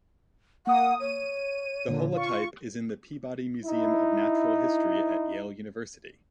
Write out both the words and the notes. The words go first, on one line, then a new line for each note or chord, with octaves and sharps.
The holotype is in the Peabody Museum of Natural History at Yale University.
A#3 F#5 D#6
C#5 D#7
A#2 D3
F4 C#6
D#4 E4